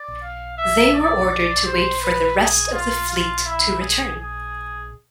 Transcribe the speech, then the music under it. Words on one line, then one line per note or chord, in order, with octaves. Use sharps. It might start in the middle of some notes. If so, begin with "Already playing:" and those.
They were ordered to wait for the rest of the fleet to return.
Already playing: D5
F5
E5
D5
C5
B4
G#4
F4
F4
E4
G#4
G#4